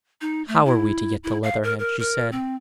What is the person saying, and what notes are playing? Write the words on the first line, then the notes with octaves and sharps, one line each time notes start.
"How are we to get to Leatherhead?" she said.
D#4
A3
E4
E4
F5
A#4
A#4
A#4
C4